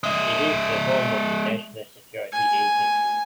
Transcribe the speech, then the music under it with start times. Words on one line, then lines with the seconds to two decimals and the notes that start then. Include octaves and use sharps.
It is the home of the National Security Agency.
0.04 G#3 E5
2.33 G#5